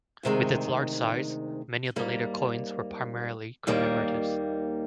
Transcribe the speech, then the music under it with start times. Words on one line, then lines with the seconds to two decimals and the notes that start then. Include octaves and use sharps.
With its large size, many of the later coins were primarily commemoratives.
0.23 D2 C3 D#3 G#3
1.96 G#2 G3 A#3
3.67 D#2 D#3 G3 A#3